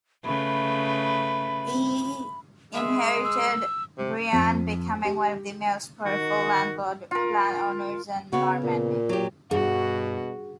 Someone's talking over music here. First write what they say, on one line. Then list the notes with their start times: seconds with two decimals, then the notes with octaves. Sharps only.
He inherited Brionne, becoming one of the most powerful landowners in Normandy.
0.25 C#3 A3 B4 B5
2.75 G#3 E5
3.24 E6
3.98 C3
4.33 F2
5.05 G4
6.06 D#3 F#4
7.11 F4 A#4
8.33 C#3 B3 F#4
8.64 A#2
9.09 F#3 G4
9.51 G2 B2 F#4 G#4